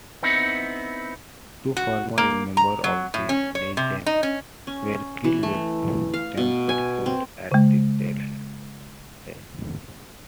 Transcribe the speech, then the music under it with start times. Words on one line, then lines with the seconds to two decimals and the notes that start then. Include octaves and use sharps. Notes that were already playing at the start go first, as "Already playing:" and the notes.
Two former members of the Legion were killed with Trumpeldor at Tel Hai.
0.23 B3 C4 D#4 E4
1.77 F#4
2.18 A#3
2.57 A#5
2.84 F#3
3.14 A2
3.29 C#4
3.55 C#5
3.77 C3
4.06 D#4
4.23 C#4
4.67 C#4
5.24 E3
5.43 A3
6.14 F5
6.37 B2
6.69 G#5
7.06 C4
7.52 C#3 G#3